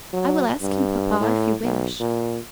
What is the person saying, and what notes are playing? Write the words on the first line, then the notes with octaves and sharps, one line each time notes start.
"I will ask him, papa, if you wish."
F#3
G2
A2
B1
A#2